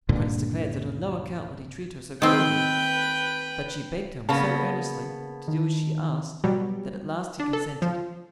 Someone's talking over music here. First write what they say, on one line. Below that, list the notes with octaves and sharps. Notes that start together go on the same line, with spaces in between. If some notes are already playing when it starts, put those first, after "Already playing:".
The Prince declared that on no account would he treat her so cruelly; but she begged him so earnestly to do as she asked that at last he consented.
C#2 G2 A#2 D3
D#3 C4 B4 G5
C#3 A#3 B3 A5
D#3
B2 F#3 G3
D4
A4
F3